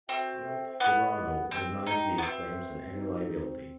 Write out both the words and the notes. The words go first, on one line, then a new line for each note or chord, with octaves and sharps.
Merck Serono denies these claims and any liability.
C4 F#4 A4 E5 G5
B3 E4 G4 D#5
C4 G4 D#5 G5
D#4
B3
C4 F#4 B4 E5
D#4 F#4 C5